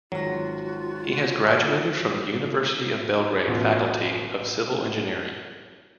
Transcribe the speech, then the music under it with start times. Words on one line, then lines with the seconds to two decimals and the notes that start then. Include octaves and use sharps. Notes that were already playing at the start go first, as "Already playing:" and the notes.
He has graduated from the University of Belgrade Faculty of Civil Engineering.
0.12 G#1 F#3 F4 F#4 A#6
3.47 A1 B2 F4